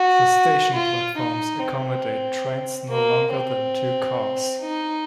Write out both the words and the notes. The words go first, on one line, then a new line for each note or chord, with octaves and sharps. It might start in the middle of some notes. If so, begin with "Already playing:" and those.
The station platforms accommodate trains no longer than two cars.
Already playing: F#4
F4
D#4
C4
A#3
C4
D#4